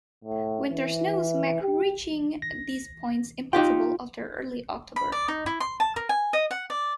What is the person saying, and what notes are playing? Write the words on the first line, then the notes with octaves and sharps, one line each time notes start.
Winter snows make reaching these points impossible after early October.
A2
E3
G4
A#6
D#4 F4 G4 G5
B5
D5
D#4
E4
C6
A5
A#4
G#5
D#5
F#5
D5